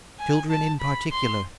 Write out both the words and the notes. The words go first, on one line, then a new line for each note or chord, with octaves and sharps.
"Children in particular."
G#5
A5
B5
C6